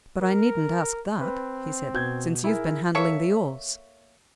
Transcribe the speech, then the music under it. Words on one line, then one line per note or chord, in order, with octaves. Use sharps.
"But I needn't ask that," he said, "since you've been handling the oars."
A#4
C4 B4
B2 G6 G#6
E4 G#4 A#4
A#3 A4 C#5 E5